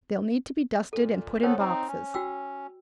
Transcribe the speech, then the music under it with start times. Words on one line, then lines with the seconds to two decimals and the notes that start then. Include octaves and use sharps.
They'll need to be dusted and put in boxes.
0.93 A#2 A4
1.43 D#3 B3 A4 C5 C#5 G5
1.59 C4 D#4
1.88 C#4
2.14 F#4 G5 E6